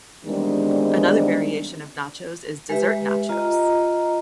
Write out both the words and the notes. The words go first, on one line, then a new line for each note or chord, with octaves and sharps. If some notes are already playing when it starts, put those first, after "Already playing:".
Another variation of nachos is Dessert Nachos.
E2 D#3 G3 G#3 C4 D4
G#3 G4 B4 E5
F4 D#5 A#5